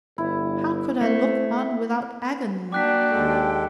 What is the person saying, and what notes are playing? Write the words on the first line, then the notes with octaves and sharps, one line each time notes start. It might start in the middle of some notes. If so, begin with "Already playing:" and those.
How could I look on without agony?
G1 E4
A3 C4
A#3 D4 F#4 G5 D6 F#6 B6
D#2 G#3 A4